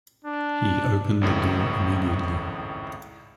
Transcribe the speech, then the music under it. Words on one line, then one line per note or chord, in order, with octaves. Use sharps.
He opened the door immediately.
D4
G#1 C#2 A2